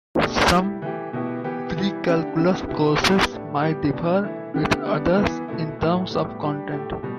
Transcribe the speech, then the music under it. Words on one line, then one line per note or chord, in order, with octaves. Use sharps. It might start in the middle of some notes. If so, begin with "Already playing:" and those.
Some precalculus courses might differ with others in terms of content.
B2 A3 D4 G4
G3 E4 G4
E3 A3 G4
B2 B3 E4 G4
E3 B3 E4 G4
E3 G3 E4
D3 A3 D4 G4
D3 B3 E4 G4
B2 B3 E4 G4
G3 B3 E4 G4
A2 A3 D4
G3 B3 G4
B2 G3 D4
E3 A3 E4
D3 B3 G4
G3 B3 D4
E3 B3 E4
B2 A3 E4
A2 E3 A3
A2 G3 B3 G4
G3 D4 G4
A2 A3 G4
B2 G3